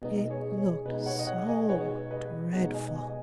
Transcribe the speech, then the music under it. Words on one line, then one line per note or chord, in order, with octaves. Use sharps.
It looked so dreadful.
B2 G#3 B3 D#4 B4 D#5
D#5
G#4 C#5
D#5
G#4 C#5
B2 G#3 B3 D#4 B4 D#5
C#5 F#5
D#5
C#5 F#5
D#5 G#5
B2 G#3 B3 D#4 C#5 F#5
B4 D#5
B2 G#3 B3 D#4 C#5 F#5
D#5 G#5
D#5 G#5